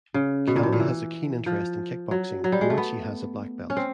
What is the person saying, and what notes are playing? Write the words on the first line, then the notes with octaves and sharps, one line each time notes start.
Kelly has a keen interest in Kickboxing, in which he has a black belt.
C#3
B2
A#2
A2
A#2
E3
F3
F#3
F#3
G3
G#3
A3
B3
C#4
C4